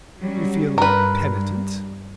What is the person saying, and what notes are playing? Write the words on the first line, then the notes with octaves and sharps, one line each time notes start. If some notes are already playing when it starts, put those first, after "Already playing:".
"You feel penitent?"
F#3 G3 C#4
G2 A#4 B4